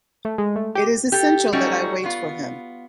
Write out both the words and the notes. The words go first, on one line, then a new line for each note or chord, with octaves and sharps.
It is essential that I wait for him.
A3
G#3
A3
G4
G4 A4
F#3 G3 A3 C#4 D#4 F#4
B3 F4